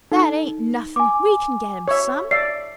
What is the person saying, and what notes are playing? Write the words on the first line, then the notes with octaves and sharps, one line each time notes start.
"That ain't nothing; we can get him some."
D#4 A4
G#5 D6
C#5 E5
D5 E5 C7